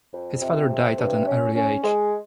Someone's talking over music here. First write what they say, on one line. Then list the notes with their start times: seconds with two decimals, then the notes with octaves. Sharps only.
His father died at an early age.
0.13 F2
0.42 C3
0.70 C3
0.98 G2
1.26 C#4
1.55 C#4
1.84 G#3